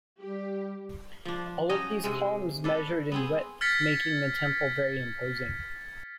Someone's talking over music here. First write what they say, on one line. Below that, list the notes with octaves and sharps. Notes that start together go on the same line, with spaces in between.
All of these columns measured in width, making the temple very imposing.
G3 G4
F3 D4
C#4 D#4 F#4 D#5
C3 G#3
D4 A4 B4
B3 C4 G#4
F6 G#6 A6 B6 C#7